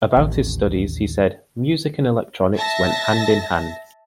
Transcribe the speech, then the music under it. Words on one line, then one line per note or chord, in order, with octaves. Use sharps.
About his studies, he said "music and electronics went hand in hand".
A1 D#2
E5 A5 A#6